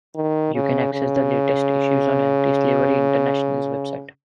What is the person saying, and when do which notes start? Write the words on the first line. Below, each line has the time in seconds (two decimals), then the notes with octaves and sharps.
You can access the latest issues on Anti-Slavery International's website.
0.16 D#3
0.55 C#3
0.93 C#3